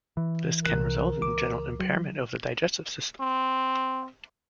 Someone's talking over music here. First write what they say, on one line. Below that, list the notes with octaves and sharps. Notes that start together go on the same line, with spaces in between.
This can result in the general impairment of the digestive system.
E3
C2 F3 A#4 F#6
C#2 D6
F#3
C4